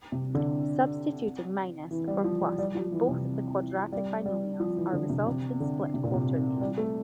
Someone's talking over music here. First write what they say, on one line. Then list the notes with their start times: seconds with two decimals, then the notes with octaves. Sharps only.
Substituting minus for plus in "both" the quadratic binomials also results in split-quaternions.
0.12 C3
0.35 D3
1.91 E3
2.08 G3
2.24 F3
2.42 G3
2.58 G3
2.75 F3
2.92 E3
3.09 C3
3.92 G3
4.26 G3
4.60 F3
4.76 E3
4.93 D3
5.09 C3
5.27 C3
5.60 D3
5.94 C3
6.04 A#2
6.14 C3
6.61 G3
6.78 A3